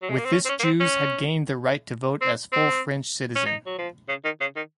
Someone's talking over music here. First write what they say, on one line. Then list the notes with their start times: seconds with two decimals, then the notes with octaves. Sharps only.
With this Jews had gained the right to vote as full French citizen.
0.02 F#3
0.10 G#3
0.18 A#3
0.25 C4
0.33 C#4
0.45 C4
0.49 C#4
0.60 A#3
0.64 C4
0.80 C#4
2.21 C4
2.53 C4
3.36 C#4
3.46 D#4
3.66 F#3
3.78 F3
4.09 C#3
4.24 D#3
4.41 C#3
4.56 D#3